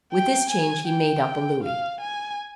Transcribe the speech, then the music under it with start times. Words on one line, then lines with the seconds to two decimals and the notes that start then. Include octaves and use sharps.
With this change, he made up a louis.
0.13 G5
0.50 G#5
0.89 G5
1.64 F5
2.01 G#5